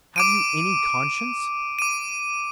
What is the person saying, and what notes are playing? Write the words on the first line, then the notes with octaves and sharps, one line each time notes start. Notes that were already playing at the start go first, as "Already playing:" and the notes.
Have you any conscience?
D6 D7 D#7
D6 D#7